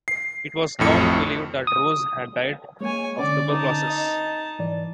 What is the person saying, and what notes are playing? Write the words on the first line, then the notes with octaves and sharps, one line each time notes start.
It was long believed that Rose had died of tuberculosis.
C7
A1 F2 A2 C#7
D#6
G#3 A#3 C#5 G#5
D3 C#4 D5
D#4 A5
D#5 D#6
G#2 E3 D5